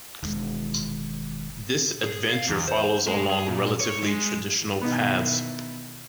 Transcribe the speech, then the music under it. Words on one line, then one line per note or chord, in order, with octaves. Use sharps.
This adventure follows along relatively traditional paths.
E1 D#3
G#4
F5
E2
C5
G#3
G#4
A#2
C#5
G#3
B2 D#3 E3 B3 D#4